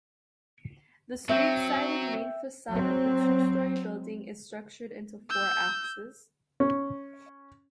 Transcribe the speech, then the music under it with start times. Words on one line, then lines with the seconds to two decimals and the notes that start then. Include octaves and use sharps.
The street-sided main facade of the two-story building is structured into four axes.
1.29 F#3 C4 E5 G5
2.69 F#3 C4
5.29 E6 G6
6.60 C#4